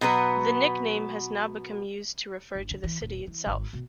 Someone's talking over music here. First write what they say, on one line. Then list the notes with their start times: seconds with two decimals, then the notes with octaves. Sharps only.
The nickname has now become used to refer to the city itself.
0.01 B2 F#3 B3 B4
2.55 G1
2.71 D3
2.84 E3
3.01 D#1
3.27 E3
3.46 G#1
3.73 B2